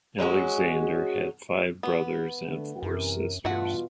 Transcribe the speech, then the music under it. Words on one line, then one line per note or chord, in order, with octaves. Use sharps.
Alexander had five brothers and four sisters.
F#3 G#3 C#4 F#4
B3
D3 A3
F#2 C3 E3 A#4
E2 G2 B2 G3 A3 F4 F#4 F#5